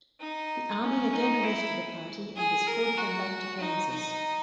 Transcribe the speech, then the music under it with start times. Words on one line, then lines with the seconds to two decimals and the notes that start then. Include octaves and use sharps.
The Army again arrested the party and escorted them back to Kansas.
0.20 D#4
0.82 C#4
1.13 D#4
1.43 E4
2.36 G#4
2.67 A#4
2.97 F#4
3.60 D#4
3.90 D#4